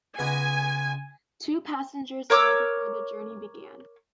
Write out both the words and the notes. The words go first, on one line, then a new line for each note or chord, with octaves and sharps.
Two passengers died before the journey began.
C#2 B3 D#5 G#5
A#4 C#5 D6 E6